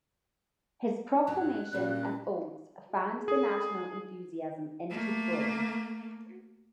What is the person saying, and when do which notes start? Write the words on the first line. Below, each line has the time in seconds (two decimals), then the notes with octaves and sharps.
His proclamations and odes fanned the national enthusiasm into flame.
1.27 G2 F#3 F#6
1.73 G2 A#2 G3 C#4
3.28 G#4
4.90 A3 A#3